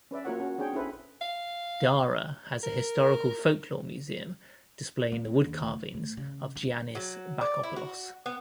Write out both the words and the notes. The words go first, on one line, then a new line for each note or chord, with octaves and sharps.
Dara has a historical folklore museum displaying the woodcarvings of Giannis Bakopoulos.
C#4 B4 D5 E5
A#3 F4 F#4 A#4 C#5 F#5
C#4 F#4
C4 D4 G#4 C#5 G5
C#4 E4 A4 B4 C5
F5
A#4
A#3
C4
D#2
D2
E3
A2
C#3
D3
F#3
D5
E4
F#4
B3